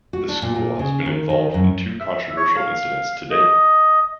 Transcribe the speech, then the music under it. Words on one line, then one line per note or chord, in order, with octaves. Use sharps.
The school has been involved in two controversial incidents to date.
F#4
D4
A#2
A#2
C#3
D#3
D#3
F#2
E5
C#5
F5
D#5